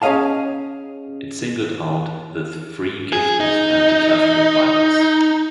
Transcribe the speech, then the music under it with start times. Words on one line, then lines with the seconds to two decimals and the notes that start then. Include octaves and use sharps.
It singled out the free gift of anti-Catholic Bibles.
0.02 C#4 G#4 C#5 D#5 F5 A5
3.13 G#4
3.40 D#4